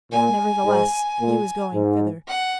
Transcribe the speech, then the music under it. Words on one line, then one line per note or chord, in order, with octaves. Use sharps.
Nevertheless, he was going thither.
A#2 G#5
G#2
A#2
G#2
F#5